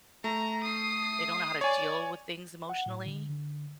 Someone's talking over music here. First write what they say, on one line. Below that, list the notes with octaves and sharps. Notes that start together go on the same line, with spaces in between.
they don't know how to deal with things emotionally,
A3 A#5
D#6 C7
C#5 D5 G#5
F#5
A2
D3
D3